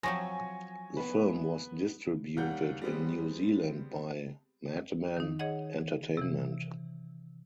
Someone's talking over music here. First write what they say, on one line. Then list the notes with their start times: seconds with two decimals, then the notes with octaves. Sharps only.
The film was distributed in New Zealand by Madmen Entertainment.
0.03 F3 F#3 C4 G#5 C#6 A#6
0.97 B3 B4
2.37 D#2 G3 F#5 G6
2.82 G3 G#3 B3 C4
5.17 D#3 D#4
5.39 G#4 C#5 D#5 F#5
6.17 C3 E3